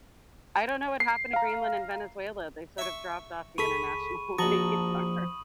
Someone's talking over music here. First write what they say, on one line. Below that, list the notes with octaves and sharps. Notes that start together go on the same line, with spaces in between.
I don't know what happened to Greenland and Venezuela, they sort of dropped off the international radar.
C7
F5 A#5
E5 C#6
C#2 G#4 A4 B5 C#6 B6 D#7
A#1 F3 F#4 A5 A#5 C#6 D#6 F#7